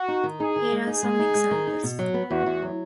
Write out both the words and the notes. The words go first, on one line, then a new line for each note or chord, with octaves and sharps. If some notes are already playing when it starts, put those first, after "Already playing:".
Here are some examples.
Already playing: F#4
D#4
D#3
D#4 G#4
D#3
G#3
D#4 G#4
G#3
D#4
G#3
D#3
D#4
B2
F#3
B3
E2 F#4
E2
F#3